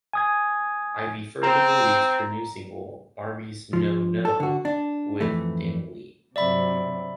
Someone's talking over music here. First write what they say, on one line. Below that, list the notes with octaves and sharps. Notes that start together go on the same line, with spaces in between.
Ivy further released her new single "Barbies Know Know" with Dany Lee.
G#5 D#6 G#6
C4 A#5
F3
A4
D3 F#4
D4
F2 E3 A3
G2 C3 F#3 D5 E5 B5